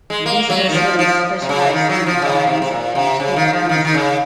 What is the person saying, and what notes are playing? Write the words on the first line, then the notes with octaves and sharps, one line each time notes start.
This nursery specialised in vines and fruit trees.
G#3
A#3
F#3
D#3
F3
F3
C3
C#3
D#3
F#3
F3
C#3
C3
C3
A#2
C3
C#3
D#3
F3
D#3
D#3
C#3